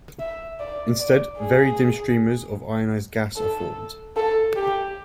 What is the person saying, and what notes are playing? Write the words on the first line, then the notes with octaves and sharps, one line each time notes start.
Instead very dim streamers of ionised gas are formed.
E5
D5
D5
G#4
A4
A4
G4